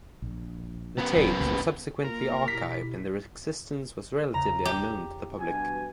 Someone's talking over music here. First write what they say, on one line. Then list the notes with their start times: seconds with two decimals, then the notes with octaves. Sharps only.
The tapes were subsequently archived and their existence was relatively unknown to the public.
0.22 A#1
0.98 C#3 B3
1.16 D#1 F#3
1.39 F#1 C#2 A#2
2.04 A#3 F4 A#4
2.48 B2 E4 G4 B6
4.34 E2 C#3 A#5
4.65 G4
5.40 G2 B2 G#5